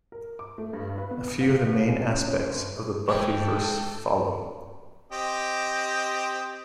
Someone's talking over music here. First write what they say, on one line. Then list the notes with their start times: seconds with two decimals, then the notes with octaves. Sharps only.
A few of the main aspects of the Buffyverse follow.
0.12 A#4
0.39 D6
0.58 A3
0.73 G2
0.98 B4
1.11 B3
1.41 F5
1.72 F5
1.87 C#2
2.11 C#4
2.28 C#4
2.50 G1
3.08 E3 G#3 A3 A4 G5
5.12 C4 G4 D#5